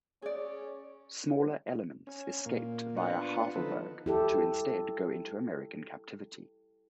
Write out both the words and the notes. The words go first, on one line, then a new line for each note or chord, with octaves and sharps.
Smaller elements escaped via Havelberg to instead go into American captivity.
C#4 G#4 D5
C#4
A#2 A#3
B3 D4 F4 F#5
D3 F3 B3 D#4 A4 B4
E4 G4 A4